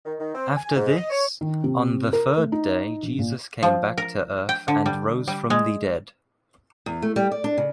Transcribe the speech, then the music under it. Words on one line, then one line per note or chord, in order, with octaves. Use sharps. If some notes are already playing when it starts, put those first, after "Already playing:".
After this, on the third day Jesus came back to Earth and rose from the dead.
D#3
D#3
C4
G#5
G#2
D#5
C#5
D#3
C3
A#4
A3
D#4
A#1
A#2
F3
A#4
G5
D3
G3
G3
G#3
E2
A3
G3
D5
D4
C#3